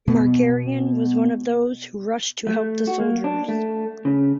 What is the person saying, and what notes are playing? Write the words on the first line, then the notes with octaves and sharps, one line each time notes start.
Margaryan was one of those who rushed to help the soldiers.
B2 B3
A3
F#4
A#3
D4
A3
C#3